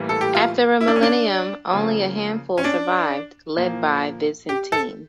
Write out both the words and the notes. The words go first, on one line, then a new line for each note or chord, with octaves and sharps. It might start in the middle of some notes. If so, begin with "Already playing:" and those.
After a millennium, only a handful survived, led by Vicente.
Already playing: A2 E3 G3 A#3
A4
G4
F4
E4
D4
C#4
D4
C#3 F3 A#3
C#4
D4
A#2 F3 A#3
G4
A4